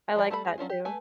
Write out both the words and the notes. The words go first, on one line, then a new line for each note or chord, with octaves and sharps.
I like that, too.
F3 D5
G3 A3 A4 B4 B5
G#3 G#4
F#3 C#4 D4 F4
G4
A3 B4 G#5